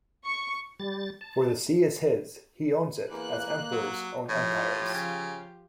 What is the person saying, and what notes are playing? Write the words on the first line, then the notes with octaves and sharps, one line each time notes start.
For the sea is his; he owns it, as Emperors own empires.
C#6
G3 A6
A5
E2 A#3 F#6
F#3
A2 F3 F4 G4
C#3